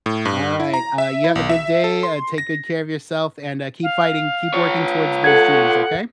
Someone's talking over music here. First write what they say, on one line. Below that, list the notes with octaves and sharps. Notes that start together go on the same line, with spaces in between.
Alright, uh, you have a good day, uh, take good care of yourself, and, uh, keep fighting. Keep working towards those dreams, okay?
A2
G2
E4
A#5
E5
E4
B1
E5
A4
C6
A#6
F5
F4 C#5
A4 F#5 G#6